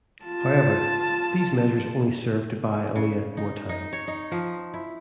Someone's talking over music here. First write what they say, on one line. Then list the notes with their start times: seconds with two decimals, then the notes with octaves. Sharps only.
However, these measures only served to buy Alia more time.
0.25 F4 A5
2.96 C#3
3.37 D#4
3.69 D#4
3.93 C#5
4.08 D#4
4.32 F3
4.74 E4